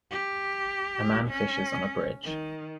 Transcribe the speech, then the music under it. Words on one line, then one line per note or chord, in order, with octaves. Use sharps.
A man fishes on a bridge.
G4
C#4
D#3